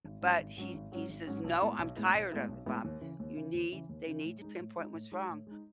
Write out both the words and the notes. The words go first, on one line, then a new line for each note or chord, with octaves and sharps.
but he he says, "No, I'm tired of it mom you need they need to pinpoint what's wrong."
G#1
G#2 F#3 C#4
G#1
G#2 F#3 C#4
G#1
G#2 F#3 C#4
G#1
G#2 F#3 C#4
B1
A2 G#3 B3 E4
B1
A2 G#3 B3 E4
B1
A2 G#3 B3 E4
B1
A2 G#3 B3 E4
D#2
C#3 E3
D#2
C#3 E3
D#2
C#3 E3
D#2
C#3 E3
A2
G#3 D#4
A2
G#3 D#4
A2
G#3 D#4
A2
G#3 D#4